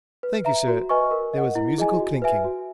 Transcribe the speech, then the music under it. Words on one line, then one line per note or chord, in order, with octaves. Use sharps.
'Thank you, sir.' There was a musical clinking.
B4
E5 A#5
F#4
B4 D#5 G#5 C#6
A#4
D#5 F#5
E4
G#4 D#5 G#5
F#4
B4 E5 G#5
F#4